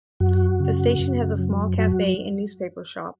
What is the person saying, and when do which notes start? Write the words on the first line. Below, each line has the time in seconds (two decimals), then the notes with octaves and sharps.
The station has a small cafe and newspaper shop.
0.20 F#2 F#4
0.60 C#3
1.00 F#2
1.39 F#3
1.78 F#3 F#4